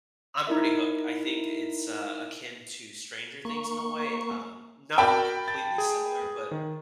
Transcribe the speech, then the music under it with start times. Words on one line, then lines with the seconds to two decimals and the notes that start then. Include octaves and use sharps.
I'm pretty hooked. I think it's, uh, akin to Stranger Things in a way, um, not completely similar, but,
0.47 D#4 E4 A#4 E5
3.45 A#3 C#6
4.98 F#4 A#4 D5 G5 A5 B5
5.48 A6
5.78 G#4
6.51 D#3